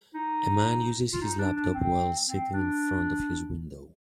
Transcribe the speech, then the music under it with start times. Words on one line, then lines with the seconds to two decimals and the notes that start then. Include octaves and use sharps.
A man uses his laptop while sitting in front of his window.
0.14 D#4
1.13 F4
1.22 D#4
1.39 D4
1.56 D4
1.74 C4
2.27 C4
2.53 D4